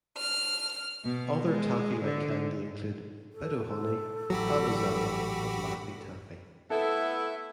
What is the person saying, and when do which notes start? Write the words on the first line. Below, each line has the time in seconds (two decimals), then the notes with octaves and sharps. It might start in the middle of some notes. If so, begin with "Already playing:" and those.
Other taffy-like candy include Bit-O-Honey, Abba-Zaba, and Laffy Taffy.
0.16 F6
1.04 B2
1.41 G#3
2.04 D3
3.33 A4
4.30 A1 F#3 F#4 G4 B5
6.70 A3 B3 E4 A4 E5